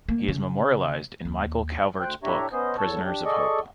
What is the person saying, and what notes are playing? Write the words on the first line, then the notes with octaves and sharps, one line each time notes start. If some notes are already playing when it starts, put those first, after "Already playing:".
He is memorialized in Michael Calvert's book Prisoners of Hope.
A#3
C#3
D#2
D2 C5 G5 F#6
A2 D4 G4 C#5 E5 A#5
B3 C#4 C5 D#5
E2 A4 C#5 A5
D4 G4
G#4 A4 D5 D#5 C#6